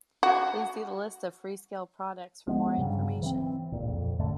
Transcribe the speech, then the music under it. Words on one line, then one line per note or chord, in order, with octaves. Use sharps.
Please see the List of Freescale products for more information.
F#4
F3 G#3 B3
G2 C#3 F#3 G3
E3 C4
D1 C#2 A#2
F2
F#2 A2 D3 A3